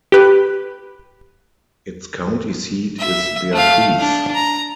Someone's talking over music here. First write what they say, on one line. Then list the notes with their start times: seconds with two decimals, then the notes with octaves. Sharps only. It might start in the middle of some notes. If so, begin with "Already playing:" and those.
Its county seat is Beatrice.
0.12 G4 B4
2.99 E5
3.52 A3 F5
3.99 D4
4.35 A#5